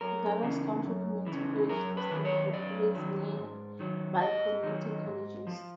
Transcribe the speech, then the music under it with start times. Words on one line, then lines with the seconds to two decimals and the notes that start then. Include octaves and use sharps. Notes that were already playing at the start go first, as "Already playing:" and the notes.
Dallas County Community College District operates nearby community colleges.
0.01 F#2 A#4
0.43 C#3 E3
0.85 F#2
1.26 E3
1.32 C#3
1.69 F#2 A#4
1.97 B4
2.11 D#3 F#3
2.25 C#5
2.53 F#2 D5
2.95 D#3 F#3
3.37 G#2
3.79 D#3 F#3
4.21 G#2 D#5
4.63 D#3 F#3
5.05 G#2
5.47 F3